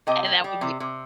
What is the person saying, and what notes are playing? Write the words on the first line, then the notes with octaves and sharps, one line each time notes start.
And that would be
C3 D#5 G5
A#3
G3
C3
C3